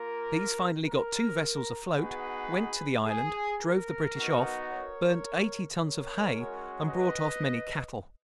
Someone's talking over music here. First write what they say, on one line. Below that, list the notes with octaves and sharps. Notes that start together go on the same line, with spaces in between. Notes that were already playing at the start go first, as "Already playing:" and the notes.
These finally got two vessels afloat, went to the island, drove the British off, burnt eighty tons of hay, and brought off many cattle.
Already playing: A#3 F4 A#4
A#4
B3 D#4 F#4 G#4 B4
G#4
A#4
B3 D#4 F#4
A#4 C#5
A#4 C#5
G#3 C#4 F#4
B4 D#5